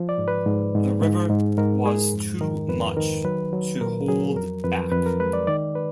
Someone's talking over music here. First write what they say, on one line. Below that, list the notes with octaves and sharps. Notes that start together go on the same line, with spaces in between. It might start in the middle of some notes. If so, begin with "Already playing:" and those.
The river was too much to hold back.
Already playing: F3
D5
G#2
B4
G#2
G#2
G#2
G#2
G#2 A#4
G#3 G#4
F2
D#3 A#4
F2 B4
D#3 A#4
F#3 B4
F#3
A#2 A#4
F#3 G#4
F2 A#4
F2 B4
F2 B4
A#4
G#3 B4
D5
D#3 D5
B4